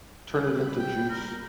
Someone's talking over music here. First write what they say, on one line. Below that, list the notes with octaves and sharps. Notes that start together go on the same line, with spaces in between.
turn it into juice,
G3 B5 F#6
G5
A#4